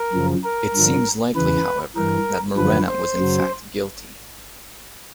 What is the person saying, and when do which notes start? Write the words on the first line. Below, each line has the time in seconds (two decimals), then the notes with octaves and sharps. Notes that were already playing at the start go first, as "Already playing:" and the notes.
It seems likely, however, that Murena was in fact guilty.
Already playing: A#4
0.13 F#2 C#3 F3
0.44 A#4
0.74 G2 D3 F3
1.35 E2 C#3 E3 B4
1.96 G2 E3 A#4
2.57 F#2 D3 F3 B4
2.88 C5
3.18 F#2 C#3 F#3